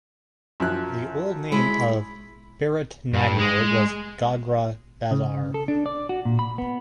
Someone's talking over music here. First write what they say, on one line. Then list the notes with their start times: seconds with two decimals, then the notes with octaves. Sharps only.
The old name of Biratnagar was Gograha Bazaar.
0.60 F#2 F3 F#6
1.52 G#3 E4 C#5 B5
3.13 G2
3.37 G#3
5.11 C#3
5.54 A4
5.68 D4
5.86 D5
6.09 F#4
6.25 A#2
6.39 B5
6.58 B3